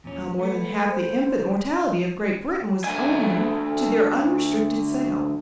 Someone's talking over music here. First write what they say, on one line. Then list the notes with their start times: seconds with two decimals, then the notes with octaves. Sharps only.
How more than half the infant mortality of Great Britain was owing to their unrestricted sale.
0.04 E2 A#2 C#4
0.39 A3 B3
0.90 C5
2.84 D2 G#5